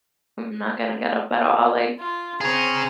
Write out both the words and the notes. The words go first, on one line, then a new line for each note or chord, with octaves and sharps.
I'm not gonna get up at all, like,
F4
C4 G#4 C#5 A#5